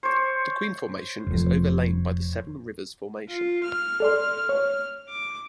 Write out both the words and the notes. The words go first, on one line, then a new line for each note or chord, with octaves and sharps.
The Queen Formation is overlain by the Seven Rivers Formation.
C5 C#5
F1 F2
F4
F6
A4 D5 C6
C#5
D6